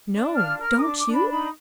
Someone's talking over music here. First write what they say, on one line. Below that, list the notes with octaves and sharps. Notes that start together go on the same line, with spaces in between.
"No. Don't you?"
D4
F4 F6
A#4 F6
D#6
D4 D6
D6
D4
B5
D#4 B5